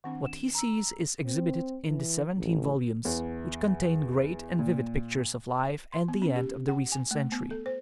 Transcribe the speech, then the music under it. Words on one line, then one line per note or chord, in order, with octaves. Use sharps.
What he sees is exhibited in the seventeen volumes, which contain great and vivid pictures of life at the end of the recent century.
D#3 C4 D4 F#5
E7
A#5 E6
C4
E3
A1
E2
A#2
C6
B3
C#4
G4
F#5
G#5
A3
B3
A4
C5